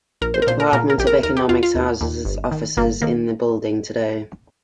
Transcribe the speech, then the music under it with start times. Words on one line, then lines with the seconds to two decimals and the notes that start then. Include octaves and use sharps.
The Department of Economics houses it offices in the building today.
0.21 A#1 A#4
0.34 C5
0.42 A#4
0.47 A#2 C5
0.60 A#4
0.73 A#2 A#4
0.90 A#4
0.98 A#1 G4
1.07 A#4
1.23 D#2 A#4
1.37 G4
1.49 D#2 F4
1.63 F4
1.75 D#2
2.01 D#2
2.25 G1
2.52 D#3
2.77 G1 A#3
3.02 D#3 A#3